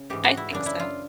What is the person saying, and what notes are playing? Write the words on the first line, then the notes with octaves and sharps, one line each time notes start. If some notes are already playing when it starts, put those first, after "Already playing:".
I think so.
Already playing: C#3
G#2 E3 G4
F#4
E4
F#2 C#3 E3 D4
E4
F4